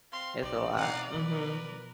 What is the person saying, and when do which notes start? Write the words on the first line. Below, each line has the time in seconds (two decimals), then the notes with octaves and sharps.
It's a lot. Mhm.
0.12 C4 F5 C6
0.43 B1 D#4 D5
0.76 B2 C4 D#4 F5 F#5
1.14 B2 F3 A#4 B4